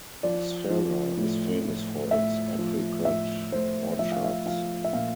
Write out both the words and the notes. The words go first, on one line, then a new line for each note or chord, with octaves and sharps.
Isfara is famous for its apricot orchards.
F3 D5
F3
A2
A2
A2 E5
F3
A2 E5
A2 C5
F3 E5
F5
E5
F3 F5
E5
A#2 F5